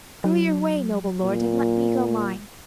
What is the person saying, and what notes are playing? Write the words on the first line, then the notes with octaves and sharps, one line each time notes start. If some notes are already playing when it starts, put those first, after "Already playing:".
'Go your way, noble lord, and let me go mine.
F#3
A#2